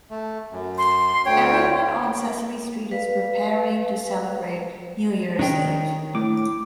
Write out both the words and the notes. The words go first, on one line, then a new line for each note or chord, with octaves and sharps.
Everyone on Sesame Street is preparing to celebrate New Year's Eve.
A3
F#2
C6
D2 C#5 G5
B4 F5
D#3 D4 C#5 G5
A2 D6